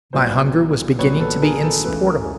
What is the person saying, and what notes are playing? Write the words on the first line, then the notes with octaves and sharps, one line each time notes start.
My hunger was beginning to be insupportable.
B1 A#2 G3 B3 C5 D5
B1 A#2 G3 B3 B4 C#5
A4 B4
G#4 A#4
A4 B4
C#2 C#3 E3 A3 A4 B4
G#4 A#4